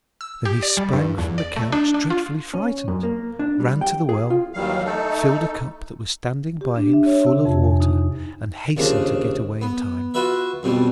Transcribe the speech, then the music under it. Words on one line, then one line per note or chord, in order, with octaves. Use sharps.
Then he sprang from the couch dreadfully frightened, ran to the well, filled a cup that was standing by him full of water, and hastened to get away in time.
E6
G4
D5
G3
G2
E2
D5
A3
D4
D4
F4
C#4
F#2
A#3
D4
G3
G5
G#4
F4
D#2 D#3 E3 F#3 G3 F5
A3 D#4 A4
G4
D4
E5
C#5
C3
F2
G#5
D#4
D#2 C#3 F3 D4
B3
F4 F#4 B4 E5
F2 B2 G3